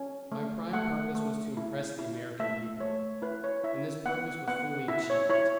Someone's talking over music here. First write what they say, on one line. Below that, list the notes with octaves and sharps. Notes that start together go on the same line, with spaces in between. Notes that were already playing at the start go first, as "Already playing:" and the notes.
My prime purpose was to impress the American people; and this purpose was fully achieved.
Already playing: C#4
A3
A3 F#5
A3
E4
E4
A3 E5
A3 C#5
E4 B4
C#5
E4 E5
B3 F#5
B3 F#5
E4 E5
C#5
E4 C#5